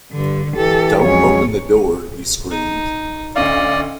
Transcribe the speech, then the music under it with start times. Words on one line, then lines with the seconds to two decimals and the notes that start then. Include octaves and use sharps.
"Don't open the door," he screamed.
0.12 G2 D3
0.57 E3 G4 A4
1.03 F2 F#3 G#3 C#4 C#5
2.51 D#4
3.36 D2 C#4 D5 D#5 F5